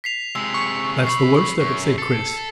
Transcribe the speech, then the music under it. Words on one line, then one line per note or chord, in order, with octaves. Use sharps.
"That's the worst of it," said Chris.
B6 C7 F7
C3 G#3 E6
C#6
F2 B5 C7
F#2
A4